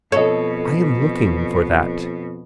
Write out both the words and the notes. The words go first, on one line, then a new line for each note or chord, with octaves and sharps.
I am looking for that.
F2 B2 A4 C#5 D#5